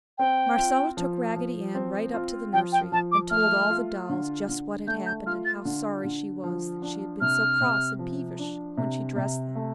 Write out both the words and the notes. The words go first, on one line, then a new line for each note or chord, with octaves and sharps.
Marcella took Raggedy Ann right up to the nursery and told all the dolls just what had happened and how sorry she was that she had been so cross and peevish when she dressed them.
C4 G5
F4
F3
F3
C4
F4
F3 G5
G5
F3 A5
D6
A3 F6
F4
D3
D3
A3 G6
G6
F4 F6
A6
D3
D3
F3
D4
C3 F6
C3
F3
D4
C3
C3
A3